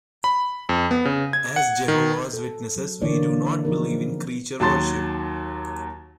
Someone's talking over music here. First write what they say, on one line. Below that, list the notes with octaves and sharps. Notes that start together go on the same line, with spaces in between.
As Jehovah's Witnesses we do not believe in creature worship...
B5
F2
B3
C#3
G#6
F#5
D#3
A4
F#3
D3 E3 A#3 C#5 D5
B4
F3 C4 D#4 G#4 A#4
D#2 F#3 A5 C6 A6